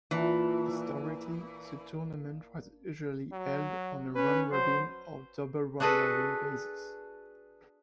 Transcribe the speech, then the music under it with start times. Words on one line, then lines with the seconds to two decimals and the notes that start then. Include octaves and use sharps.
Historically, the tournament was usually held on a round-robin or double round-robin basis.
0.11 A#2 E3 A5
3.32 F#3
4.15 C#4 B4
4.52 F#3 C5
5.80 D4 F#4 G#4 A4 B4